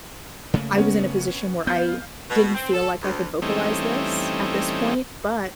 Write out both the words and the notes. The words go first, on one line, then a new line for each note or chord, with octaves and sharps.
"I was in a position where I didn't feel like I could vocalize this at this point," but,
C#3 A3 A#3
B3 C#4
B3 F5 G6
B2
C4
A4
D2
E3 G3 A3 C4 C#4 D#4